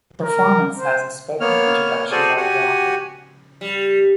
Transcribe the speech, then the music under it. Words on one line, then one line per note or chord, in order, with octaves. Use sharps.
The performance has a spoken introduction by the author.
A#4
C5
A#3 B3 C#5 F6
F#4 G#4 A4 C5 D5 G#5
F#4 G4 F#5 G#5
G3